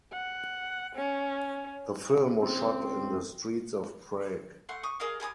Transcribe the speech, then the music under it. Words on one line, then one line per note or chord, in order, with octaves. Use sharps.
The film was shot in the streets of Prague.
F#5
C#4
C#2 C4
A3 F#5 C6
C#6 D#6
G#4 A#4 D#5 F5
G4 G#5 A#5 D#6